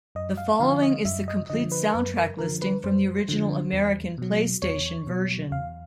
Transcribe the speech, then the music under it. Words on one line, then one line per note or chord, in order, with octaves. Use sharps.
The following is the complete soundtrack listing from the original American PlayStation version.
F#2 D#5
F5
D3 F3 F5
D#5
F#2 E5
D#5
D3 F3 D#5
B4
A#4
F#2 B4
A#4
D3 F3 A#4
B4
F#2 C5
D3 F3
E2
B2 F#3
E2 C#5
B2 F#3
E2 F5